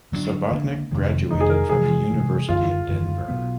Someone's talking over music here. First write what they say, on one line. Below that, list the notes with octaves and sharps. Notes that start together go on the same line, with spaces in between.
Subotnick graduated from the University of Denver.
D3 F#3 A#3 D4
D3 F#3 A#3 D4
F2 C3 D#3 G#3
F2 C3 D#3 G#3 D#4
G#4
A#4
C3 E3 G#3 G#4
C3 E3 G#3
F#2 D3 G3 F4
F#2 D3 G3
B2 F#3 B3